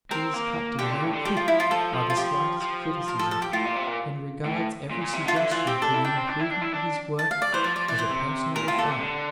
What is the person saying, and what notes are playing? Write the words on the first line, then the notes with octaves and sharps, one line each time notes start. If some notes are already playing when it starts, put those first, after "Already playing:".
He is cut to the very quick by the slightest criticism, and regards every suggestion for the improvement of his work as a personal affront.
C4 A#4
A#3
D3 G4
A#2
A2
D3
F3 G4
F4
E4
F4
F3 A4
F3
F4
G4
F3
A#4
A4
A4
G4
A2 F4
A#2
C3
A#2
A2
A#2
A#2
C3
D3
F4
D3 E4
E3 F4
C4 G4
D4 A4
E4
D4 G5
C4
D4
E4
D4
E4
D4
A5
F5
D5
E3 C5
F3 D5
D5
E3 D5
C5
C3
A#2 A#4
A2 F4
A#2 A4
C3
D3